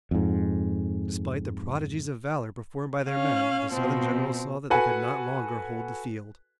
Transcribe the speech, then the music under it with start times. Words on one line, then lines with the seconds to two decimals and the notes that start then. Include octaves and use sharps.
Despite the prodigies of valor performed by their men, the Southern generals saw that they could not longer hold the field.
0.11 F2 G#2
3.08 C#4 F5
3.73 B2 F3 C4
4.70 F#4 A4 B4 F#5 G#5